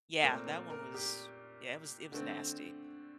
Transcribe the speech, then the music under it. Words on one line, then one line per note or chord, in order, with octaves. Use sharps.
Yeah, that one was yeah, it was it was nasty.
A#2 A3 C4 A#4
A#4
A#4
G4
D3 A3 C4